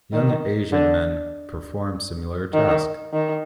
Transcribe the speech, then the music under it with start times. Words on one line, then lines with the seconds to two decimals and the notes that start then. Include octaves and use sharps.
Young Asian men perform similar task.
0.13 D#3
0.73 D3
2.53 D#3
3.13 D#3